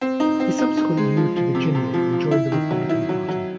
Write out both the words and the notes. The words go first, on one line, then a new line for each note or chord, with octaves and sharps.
He subsequently moved to Virginia and joined the Republican Party.
C4
D#4
C4
D#4
D#4
G#3
F3
F3
C3
C3
F3
F3
E4
D#3
F#3
E4
F#3
F#3